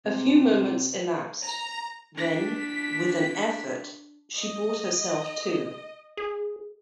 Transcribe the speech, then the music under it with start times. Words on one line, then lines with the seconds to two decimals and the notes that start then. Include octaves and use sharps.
A few moments elapsed; then, with an effort, she brought herself to.
0.05 C3
1.43 A#5
2.15 D4 B6
4.36 D#5
6.17 G#4